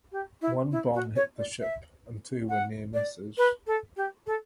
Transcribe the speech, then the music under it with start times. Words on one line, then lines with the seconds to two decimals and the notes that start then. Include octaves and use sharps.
One bomb hit the ship and two were near misses.
0.12 G4
0.41 E4
0.71 E4
0.94 F#4
1.16 C#5
1.38 D5
1.60 E5
2.49 F#5
2.94 D5
3.37 B4
3.67 A4
3.96 G4
4.26 A4